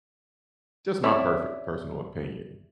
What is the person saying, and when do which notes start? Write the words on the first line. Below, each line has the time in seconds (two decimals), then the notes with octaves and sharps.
Just my perfe personal opinion.
1.04 C4 C#4 E4 C#5 D5 E5